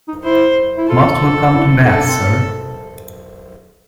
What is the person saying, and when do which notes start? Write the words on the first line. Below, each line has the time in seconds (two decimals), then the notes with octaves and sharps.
Most welcome to Bath, sir.
0.08 D#4
0.24 E4 C5
0.78 E4
0.89 F4 A4
1.54 E4
1.86 D#4 A4
1.97 D4
2.08 C4
2.18 B3
2.30 A#3